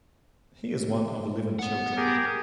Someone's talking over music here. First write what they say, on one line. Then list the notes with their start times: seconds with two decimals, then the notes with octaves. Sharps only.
He is one of eleven children.
1.59 B3 F#5
1.96 G4 G#4 A#4